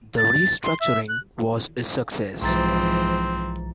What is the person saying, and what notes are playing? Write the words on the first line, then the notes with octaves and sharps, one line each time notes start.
The restructuring was a success.
A6
C6
E5
F#6
B1 G#2 E3 F3 C4 A#5 A6